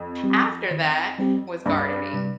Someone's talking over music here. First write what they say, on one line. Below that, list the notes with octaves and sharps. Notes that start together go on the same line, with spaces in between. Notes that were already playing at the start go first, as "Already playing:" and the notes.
after that was gardening,
Already playing: F2
G3 C4 G4
D#3
G3 C4 G4
C#2 G2
C3 G3